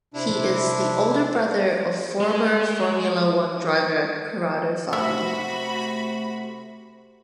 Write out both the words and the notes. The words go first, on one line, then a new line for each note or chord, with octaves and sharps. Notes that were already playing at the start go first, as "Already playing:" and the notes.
He is the older brother of former Formula One driver Corrado Fabi.
C3 D4 E4
G#3
C3 A3 F#4 E5 B5